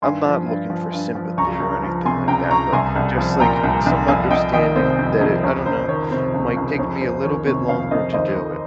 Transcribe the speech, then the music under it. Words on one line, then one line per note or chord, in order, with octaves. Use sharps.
I'm not looking for sympathy or anything like that, but just, like, some understanding that it I don't know, it might take me a little bit longer to do it.
G2 G#5 C6
F3
G2
F3
G2
F3
C#2 A#5 C#6
C#2
F3
C3 G#5 C6
C#2 G5 A#5
C#2 A#5 C#6
C2 G#5 C6
C2
F3
A#2 G5 A#5
C2
C2
F2 F5 G#5
F2 D#5 G5
D#3 D#5 G5
C3 C5
F2
F2
C#2 C#5
C#2 C5
D#3 C#5
C3 C5
C#2
C#2
F2 C#5
F2 C5
D#3 C#5
C3 C#5
F2 C#5 F5
F2 C5 D#5
D#2 C5 D#5
D#2